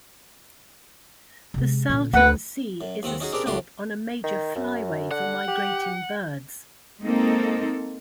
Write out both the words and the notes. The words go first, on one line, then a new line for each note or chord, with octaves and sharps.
The Salton Sea is a stop on a major flyway for migrating birds.
C3 G#3
A#2 D3
D2 B4 F#5
F#2
D#2 D#3 C4 F#5
C#4 D#4 F#4 G#4
C4 D4 G4 G#4 A#4 D5
C#2 A2 D4 F#4 G4 C6
D#3
F#2
D3 F#5
G4
G#3 A#3 C4 D#4 A4